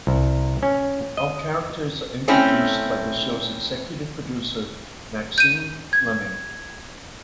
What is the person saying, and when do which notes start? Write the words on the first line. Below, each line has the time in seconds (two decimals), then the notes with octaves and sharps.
All characters are introduced by the shows executive producer Maxine Fleming.
0.07 C2
0.63 C#4
1.17 D#5
2.28 A3 C4 C#4 E4
5.38 G6 D#7
5.93 G#6